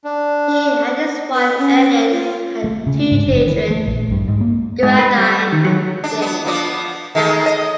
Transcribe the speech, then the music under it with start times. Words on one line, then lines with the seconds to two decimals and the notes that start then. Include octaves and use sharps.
He and his wife Ellen had two children: Geraldine and James.
0.04 D4
1.34 B4
1.58 C#4
2.10 F4
2.64 A3
2.87 C#3
3.12 G#2
3.26 F#1
3.48 E3
3.71 A3
3.86 A#1
4.11 G2
4.28 G#2
4.41 A#3
4.83 G#2
4.99 B4
5.18 G3
5.52 D#3
5.65 F#3
6.04 D4
6.22 B3
6.45 F3 B3 D5
7.15 D#3 G#3 A3
7.46 D#5